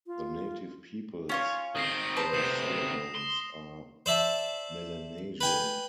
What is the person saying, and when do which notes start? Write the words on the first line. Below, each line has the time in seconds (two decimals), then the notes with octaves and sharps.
The native peoples of the Solomons are Melanesian.
0.07 F4
1.29 C#4 F4 C#5
1.75 D#3 C4 D#6 A#6 C7
2.16 B4 C5 A5
2.33 D2 C3 D#6 C7 E7
3.15 C6
4.06 C5 D5 E5 A5
5.41 B4 G5 G#5